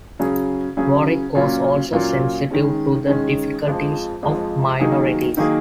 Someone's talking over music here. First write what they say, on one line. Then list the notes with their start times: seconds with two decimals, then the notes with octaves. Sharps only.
Warrick was also sensitive to the difficulties of minorities.
0.19 C#3 F#3 C#4 G#4
0.77 C#3 F#3 C#4 G#4
1.35 A#2 F#3 A#3 C#4 F4
1.92 A#2 F#3 A#3 C#4 F4
2.50 D#3 G#3 C#4
3.07 D#3 G#3 C#4
3.65 F2 F3 G#3
4.22 F2 F3 G#3
4.80 D#3 F#3 A#3 D#4 G#4
5.37 D#3 F#3 A#3 D#4 G#4